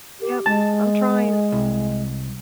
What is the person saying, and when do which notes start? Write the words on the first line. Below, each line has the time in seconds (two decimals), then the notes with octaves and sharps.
Yep, I'm trying.
0.20 G4
0.46 G#3 A5
1.52 C2